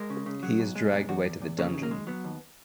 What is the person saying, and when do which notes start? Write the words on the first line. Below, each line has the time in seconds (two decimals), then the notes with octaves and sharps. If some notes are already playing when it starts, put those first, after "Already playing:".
He is dragged away to the dungeon.
Already playing: G#3 A#4
0.10 C#3
0.26 C#3
0.43 F#3
0.60 B1
0.76 G#3
0.92 B1
1.08 E2 F#4
1.25 E2
1.42 E2
1.58 C#3 A#3
1.74 D#2
1.83 A#3
1.91 G#3
2.07 F#3 B3
2.24 D#2